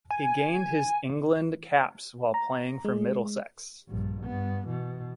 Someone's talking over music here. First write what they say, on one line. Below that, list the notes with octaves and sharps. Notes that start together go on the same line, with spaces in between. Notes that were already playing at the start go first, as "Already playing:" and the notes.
He gained his England caps while playing for Middlesex.
G#5
A#5
G#3
A#1 G2
G2 B3
B2 E3